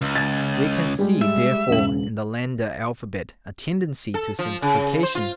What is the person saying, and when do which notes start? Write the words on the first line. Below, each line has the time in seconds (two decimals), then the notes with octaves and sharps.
We can see, therefore, in the Landa alphabet a tendency to simplification.
0.01 C#2
0.15 G#6 A6
0.99 G3 G#3 G4
1.22 E5
1.69 E1 C#3 F#7
4.14 A4
4.39 F3
4.62 C#3
5.03 C5
5.15 F4